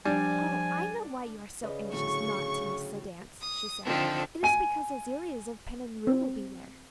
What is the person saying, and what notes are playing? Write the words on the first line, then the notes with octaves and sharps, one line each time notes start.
'Oh, I know why you are so anxious not to miss the dance,' she said; 'it is because Aziliez of Pennenru will be there.'
F3 G3 D4 G#5
C#3 B4 D5 D#5
A2 D3 F#3 C#6
D#6
D3 D#3 F3 C4 A4
G#5 D#7
C4